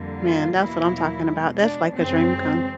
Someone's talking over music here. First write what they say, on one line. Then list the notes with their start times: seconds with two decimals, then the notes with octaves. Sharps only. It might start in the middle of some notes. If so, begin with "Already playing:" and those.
Man, that's what I'm talking about, that's like a dream come
Already playing: F2 D3 G3 A#3
0.20 F4
0.55 E2 B2 F#3 A#3 E4
1.25 B2 G#3
1.60 D4
1.95 F#2 C#3 E3 G#3 C4